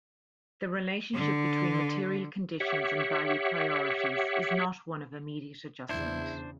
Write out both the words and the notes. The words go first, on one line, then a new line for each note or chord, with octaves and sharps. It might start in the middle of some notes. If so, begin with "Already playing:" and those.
The relationship between material conditions and value priorities is not one of immediate adjustment.
D3
G4 C#5 E5 F#5
E2 C#3 D4 E4 C5